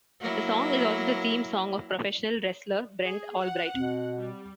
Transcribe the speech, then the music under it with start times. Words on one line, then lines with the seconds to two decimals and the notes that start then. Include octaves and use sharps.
The song is also the theme song of professional wrestler Brent Albright.
0.20 F#3 A#3 E4
3.05 G#4
3.41 F#5
3.74 B2 C4
4.17 G3